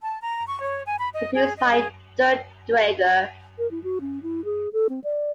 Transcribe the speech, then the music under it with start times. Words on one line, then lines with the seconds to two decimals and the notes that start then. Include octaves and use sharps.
Produced by Dirk Draeger.
0.01 A5
0.22 A#5
0.46 C#6
0.62 C#5
0.86 G#5
0.98 B5
1.14 D#5
1.35 G#4
1.57 D#5
1.71 G#4
3.58 A#4
3.71 E4
3.84 F#4
4.01 C#4
4.23 E4
4.45 G#4
4.73 A4
4.89 C4
5.04 D5